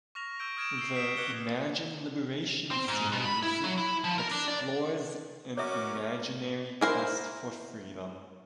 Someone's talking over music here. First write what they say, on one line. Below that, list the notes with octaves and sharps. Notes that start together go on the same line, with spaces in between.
The "Imagine Liberation" series explores an imaginary quest for freedom.
C#6 F6 A#6 F7
C#6 E6 G6 D7
D#6 F6 G#6 D7 E7
E6 C7
D#6 G6 B6 C7 D7 E7
D6 F#6 G#6 C#7 E7 G7
C4
G#2
B2
B5
E4
F#3
E4
F3
A#4
D4
D5
C#4 F#4 A#4 C#5 E5 D6
E4 A#4 C5